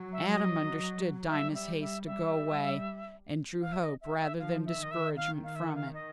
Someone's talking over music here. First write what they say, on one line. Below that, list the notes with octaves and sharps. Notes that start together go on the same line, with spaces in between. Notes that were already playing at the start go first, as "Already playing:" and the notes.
ADAM understood Dinah's haste to go away, and drew hope rather than discouragement from it.
Already playing: F#3
E5
D#5
G3 E5
E5
E5
G3 E5
F5
E5
D#5
E5
E5
F3 F5
E5
D#3
D#5
E5
F5
F5
E5
F#5
F5
D#5